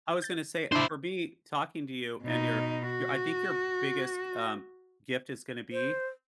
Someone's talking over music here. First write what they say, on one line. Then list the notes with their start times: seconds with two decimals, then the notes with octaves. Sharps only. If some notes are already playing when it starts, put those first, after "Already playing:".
I was gonna say, for me, talking to you and your your I think your biggest g um, gift is gonna be,
0.22 G6 A6
0.72 D4 E4 C5 D6
2.23 B2 D#4
2.90 F#4
5.72 C5